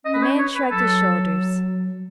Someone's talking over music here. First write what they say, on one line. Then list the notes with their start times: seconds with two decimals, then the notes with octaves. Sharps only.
The man shrugged his shoulders.
0.05 C#4 D#5
0.14 B4
0.22 C#5
0.39 C#5
0.55 B4
0.71 F#3 A4